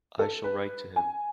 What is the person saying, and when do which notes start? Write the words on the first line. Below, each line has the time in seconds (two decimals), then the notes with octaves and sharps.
I shall write to him.
0.19 A4
0.44 B4
0.96 G#5